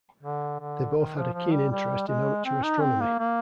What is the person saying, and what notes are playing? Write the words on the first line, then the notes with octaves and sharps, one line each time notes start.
They both had a keen interest in amateur astronomy.
D3
D3
D#3
F3
F3
G3
G3
G#3
C4
D#4
C4
A#3
A#3